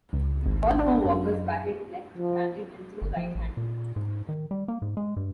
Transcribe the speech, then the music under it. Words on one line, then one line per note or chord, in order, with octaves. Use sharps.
All four Walkers batted left-handed and threw right-handed.
C#2
G#1
D4
F#2
F3
G1
F3
A1
A#2
G#2
D#3
G3
A#3
G#2
G#3
G2